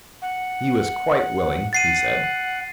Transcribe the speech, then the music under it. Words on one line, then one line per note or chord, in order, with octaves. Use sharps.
He was quite willing, he said.
F#5
F#5 A6 C7 D#7